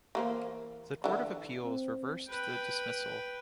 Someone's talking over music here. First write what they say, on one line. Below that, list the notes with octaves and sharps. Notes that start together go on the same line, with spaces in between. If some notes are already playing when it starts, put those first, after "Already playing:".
The Court of Appeals reversed the dismissal.
E3 A#3 C5
D3 E3
C4
B4 G5